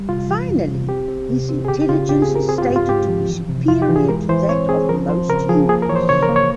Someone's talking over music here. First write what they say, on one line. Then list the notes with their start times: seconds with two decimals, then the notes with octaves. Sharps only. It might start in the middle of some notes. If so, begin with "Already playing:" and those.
Finally, his intelligence is stated to be superior to that of most humans.
Already playing: G3
0.09 C3 F4
0.29 E3
0.48 F2
0.68 C3
0.89 C4 G4
1.08 C4
1.29 C3
1.49 C4
1.65 G#4
1.68 C#3 G4
1.82 G4
1.89 C#3 F4
2.09 C#3 G4
2.22 G#4
2.29 C4
2.35 A#4
2.49 C4 G#4
2.58 F4
2.62 G4
2.69 G#2
2.76 F4
2.89 G#2 G4
3.09 F3
3.29 E3
3.49 C3
3.68 F2 F4
3.82 G4
3.89 E3
3.96 G#4
4.09 G#3 A#4
4.29 E3 C5
4.49 C4 C#5
4.69 C4 G#4
4.89 F3 A#4
5.09 F3 C5
5.29 C#3 A#4
5.49 F3 G#4
5.69 A#3 G#4
5.82 A#4
5.89 E3 C#5
5.96 C5
6.09 C#3 C#5
6.22 A#4
6.29 A#3
6.36 C#5